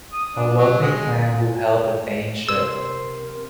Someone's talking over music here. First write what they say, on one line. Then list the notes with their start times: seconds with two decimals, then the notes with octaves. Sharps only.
A wealthy clan who held the Thainship.
0.13 D#6
0.35 D4
0.58 F#3
0.82 G#3
2.49 C3 A#4 C5 E6